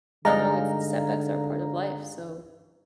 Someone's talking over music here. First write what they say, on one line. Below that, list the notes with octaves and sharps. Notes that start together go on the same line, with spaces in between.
You know? It's setbacks are part of life, so
G2 D3 G#3 D#4 D5 F5 A#5